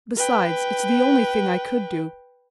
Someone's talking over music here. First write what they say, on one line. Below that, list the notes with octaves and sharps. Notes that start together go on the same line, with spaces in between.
Besides, it's the only thing I could do.
B4 G5